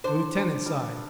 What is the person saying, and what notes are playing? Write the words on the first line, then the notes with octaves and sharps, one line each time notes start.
The Lieutenant sighed.
D4 C5
D4
G3